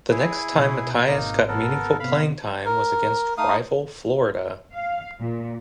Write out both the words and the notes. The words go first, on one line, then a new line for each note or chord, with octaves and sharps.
The next time Mathis got meaningful playing time was against rival Florida.
E4 G#4
B2
G#1 A#3 D#4
B3 A4 A#4
C3 B3 F5 B5
A#4
A3 D#4 F5 D#6
F5
A#2